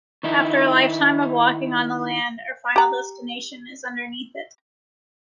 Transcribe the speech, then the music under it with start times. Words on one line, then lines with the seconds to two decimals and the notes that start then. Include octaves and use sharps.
After a lifetime of walking on the land, our final destination is underneath it.
0.23 D#3 D#4 E4
2.76 G4 A#5